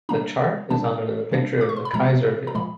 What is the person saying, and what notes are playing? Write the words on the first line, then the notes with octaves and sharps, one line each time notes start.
The chart is under the picture of the Kaiservilla.
D#3 G3 A#3 D4 A#5
D#3 G3 A#3 D4 A5
D#3 G3 A#3 D4
D6
C#6
C6
B5
A#2 F3 G#3 A#5
A#5
A#2 F3 G#3 B5